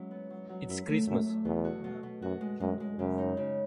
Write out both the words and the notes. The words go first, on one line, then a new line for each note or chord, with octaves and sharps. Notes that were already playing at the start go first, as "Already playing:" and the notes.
It’s Christmas.
Already playing: F#3 G#3 C#4 E4
B3
F#3
F#3
F#2 E4
A3
F#2 A3
A3
E2 B2
F#4
B2
B2
F#2 F#4
G#3
F#2 G#3
G#3
F#2 C#3
D#4
C#3